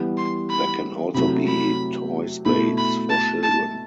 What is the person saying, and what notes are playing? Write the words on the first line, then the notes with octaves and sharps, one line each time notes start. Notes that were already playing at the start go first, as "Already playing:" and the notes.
There can also be toy spades for children.
Already playing: E3 G3 B3
C6
B5
C3 F#3 A3 E4 B5
B5
B2 A3 E4 B5
B5
A5
A5